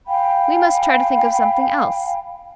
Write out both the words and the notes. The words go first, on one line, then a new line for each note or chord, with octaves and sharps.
"We must try to think of something else."
F5 G5 G#5 B5